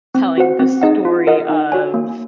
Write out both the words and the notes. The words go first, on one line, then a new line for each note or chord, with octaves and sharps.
telling the story of
C4
F#4 C5 F#5
C4
D#4 G#4 D#5 F#5
F4
A#4 D#5 F#5
D#4
F#4 C#5 G#5
A#3